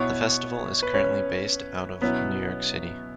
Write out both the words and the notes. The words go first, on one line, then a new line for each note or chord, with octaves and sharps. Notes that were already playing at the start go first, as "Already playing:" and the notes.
The Festival is currently based out of New York City.
Already playing: B2 B3 E4 C#5 C#6
B4
C#4 C#5
B2 F#3 B3 C#4 E4 B4